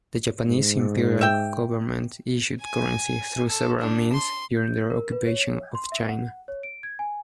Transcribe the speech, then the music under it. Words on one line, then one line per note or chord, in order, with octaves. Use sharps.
The Japanese Imperial Government issued currency through several means during their occupation of China.
G#2
E5 G5
G#5
A4
D4
C6
G6
A#4
B4
C#5
C6
E5
F#5
C#5
D7
G#6
G#5